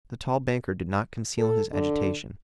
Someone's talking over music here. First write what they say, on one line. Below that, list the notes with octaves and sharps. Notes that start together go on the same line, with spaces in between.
The tall banker did not conceal his agitation.
A4
D3